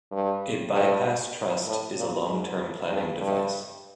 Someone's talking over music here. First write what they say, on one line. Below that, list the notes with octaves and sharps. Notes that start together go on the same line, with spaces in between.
A bypass trust is a long-term planning device.
G2
G2
A2
A#2
G#2
G2
G2